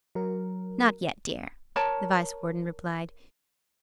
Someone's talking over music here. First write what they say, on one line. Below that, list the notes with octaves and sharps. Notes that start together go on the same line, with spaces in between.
"Not yet, dear," the Vice-Warden replied.
F#3 A#4
A#4 C#5 A5 A#5